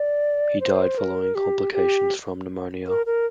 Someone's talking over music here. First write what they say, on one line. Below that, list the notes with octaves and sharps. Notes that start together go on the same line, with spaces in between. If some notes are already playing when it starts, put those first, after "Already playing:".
He died following complications from pneumonia.
Already playing: D5
C5
A#4
G4
G4
A#4
A#4